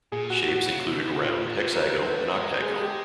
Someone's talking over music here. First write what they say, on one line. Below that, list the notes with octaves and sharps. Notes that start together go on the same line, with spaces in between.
Shapes included round, hexagonal and octagonal.
A#2 G#4
F#4
A2
F#4
C#3
C3
B2
C3
A#2 F4
A2
A#2 F4
C3
C#3 A#4
C#3 B4
F#3 C5
G3 B4
G#3 A#4
A#4
G#4
G#4
G4